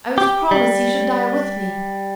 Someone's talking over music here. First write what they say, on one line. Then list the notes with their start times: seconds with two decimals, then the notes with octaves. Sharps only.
I was promised he should die with me.
0.18 G4
0.51 G3